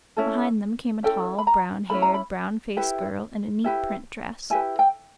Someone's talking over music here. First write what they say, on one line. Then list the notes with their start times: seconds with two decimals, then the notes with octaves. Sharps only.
Behind them came a tall, brown-haired, brown-faced girl in a neat print dress.
0.17 C#4 E4 A4
1.03 C#4 E4 A4 G5
1.39 B5
1.47 A#5
1.90 C#4 E4 A4 B5
2.02 A#5
2.14 B5
2.77 E4 G4 B4
3.64 E4 G4 B4
4.50 E4 G4 B4 G#5
4.79 G5